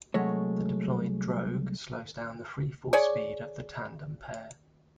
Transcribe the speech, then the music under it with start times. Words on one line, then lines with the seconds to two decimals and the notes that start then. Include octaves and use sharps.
The deployed drogue slows down the free-fall speed of the tandem pair.
0.14 C2 F#3 G#3 A3 C#5
2.93 G#4 C#5 D5